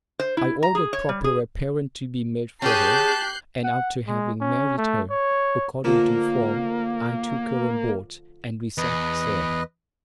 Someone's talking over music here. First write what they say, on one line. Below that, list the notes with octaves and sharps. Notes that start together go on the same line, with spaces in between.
I ordered proper apparel to be made for her; and after having married her, according to form, I took her on board, and we set sail.
C5
E4
A#5
G#4
C#5
G3
G#4
C#4 G4 G#4 A5 F#6 G6 C7
F#5
G#3
C#4
A3
C#5
D3 F3 A3 A#3
E2 B4 D#5